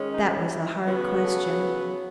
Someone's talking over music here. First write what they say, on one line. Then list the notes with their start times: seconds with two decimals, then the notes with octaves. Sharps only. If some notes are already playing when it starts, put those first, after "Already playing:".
That was a hard question.
Already playing: D#3 G#3 C#4
0.12 D#4
0.49 E4
0.85 C#3 F#3 B3
1.21 A4